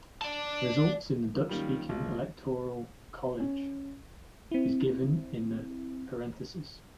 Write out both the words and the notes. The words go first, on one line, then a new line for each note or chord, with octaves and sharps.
Results in the Dutch-speaking electoral college is given in the parenthesis.
D5 A5
F#3 F4 A#4
D#3 G3 A#3 C#4 F4
B1 G#3 A3 F4
C#4
C4 E4